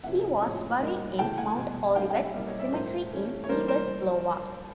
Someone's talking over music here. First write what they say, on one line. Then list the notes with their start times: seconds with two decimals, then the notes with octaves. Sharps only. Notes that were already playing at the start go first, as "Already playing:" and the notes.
He was buried in Mount Olivet Cemetery in Key West, Iowa.
0.04 C3 F3 A#3 C#4 E4 E5 F#5
0.42 A2 F3 G#3 C4 C#5 D#5
0.80 G#2 D#3 G3 A#3 D#4
1.18 C#3 E3 A3 G5 A5
1.38 F#5 G#5
1.57 E2 B2 G3
1.95 D#3 F#3 A3 C#4 F5 G5
2.11 G5
2.14 E5 F#5
2.34 B2 G3 A#3 C#4 E4 D5 E5
2.46 C#5 D#5
2.59 D5 E5
2.72 A2 F3 A3 A#4 C5
3.11 E3 A3 C#4
3.44 C#5
3.49 E3 G3 A#3 A#4 C5
3.68 A#4 C5